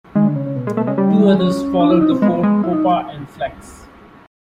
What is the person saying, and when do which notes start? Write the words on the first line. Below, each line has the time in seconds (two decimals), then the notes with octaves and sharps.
Two others followed the four, Poppa and Flex.
0.15 D#3 G#3
0.25 D3
0.36 C#3
0.46 C#3
0.56 B2
0.67 A#2 G#3
0.77 B2 A3
0.87 C#3 G#3
0.98 C#3 G3
1.09 D#3
1.19 E3
1.29 G#3
1.39 C#4
1.80 D4
1.90 E4
2.01 D#4
2.12 C4
2.22 G#3 B3
2.43 G#3
2.64 E4
2.73 D#4